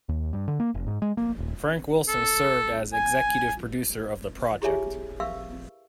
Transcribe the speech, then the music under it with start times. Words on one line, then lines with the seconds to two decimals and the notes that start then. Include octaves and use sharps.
Frank Wilson served as executive producer of the project.
0.09 D#2
0.33 G2
0.48 D3
0.60 A#3
0.74 F1
0.87 G#2
1.02 G#3
1.17 A#3
1.39 D#1
2.08 A4
2.93 G#5
4.62 E4 G4 G#4 C#5 E5 G#5
5.20 A#4 B4 E5 F5 C#6 E6